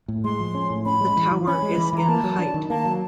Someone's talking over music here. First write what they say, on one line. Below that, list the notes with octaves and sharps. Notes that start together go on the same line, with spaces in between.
The tower is in height.
A2
G#3 C6
F3
C#4
A2
C#4 B5
G#3
E3
E3
C#4 B5
G#3
E3
E3 A#5
A#3 A5
F#3
D4
D#3
A#3 A5
F#3